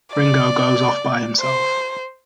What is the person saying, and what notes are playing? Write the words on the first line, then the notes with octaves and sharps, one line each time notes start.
Ringo goes off by himself.
D5
C5